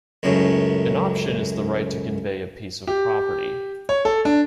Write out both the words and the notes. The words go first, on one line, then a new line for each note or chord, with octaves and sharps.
An option is the right to convey a piece of property.
C#2 F#2 A2
G4
C#5
A4
D4